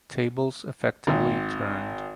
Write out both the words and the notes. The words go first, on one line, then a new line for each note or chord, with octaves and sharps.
Tables effectively turned.
G#1